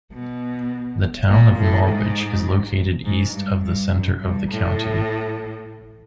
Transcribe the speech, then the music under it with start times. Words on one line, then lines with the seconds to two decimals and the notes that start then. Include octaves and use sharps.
The town of Norwich is located east of the center of the county.
0.13 B2
1.29 A#2
1.58 A2
1.87 G#2
3.04 G#2
3.34 G2
3.62 G2
3.91 F#2
4.20 G2
4.51 A2